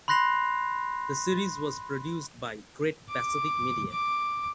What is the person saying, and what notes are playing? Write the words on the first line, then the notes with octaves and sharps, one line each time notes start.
The series was produced by Great Pacific Media.
B5 C6 F#6 A#6 C7 F7
D6
D6